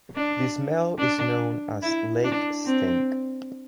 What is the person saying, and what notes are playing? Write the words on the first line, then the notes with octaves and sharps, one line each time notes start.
The smell is known as "lake stink".
D4
D4
E4
D4
C4